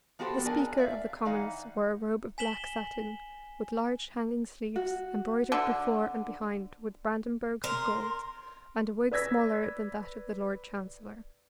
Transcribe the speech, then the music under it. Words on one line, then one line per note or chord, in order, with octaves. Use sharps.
The Speaker of the Commons wore a robe of black satin, with large hanging sleeves, embroidered before and behind with brandenburgs of gold, and a wig smaller than that of the Lord Chancellor.
F3 B3 F#4 G4 A4 C5
D4 G#4 A#4 D5 G#5
D5 E5 F5
E3 D#4 F5 F#5
G#5 B6 E7 F#7 G7
F#4
D3
A#4 C6
B4 D5 E6 G#6 A#6 B6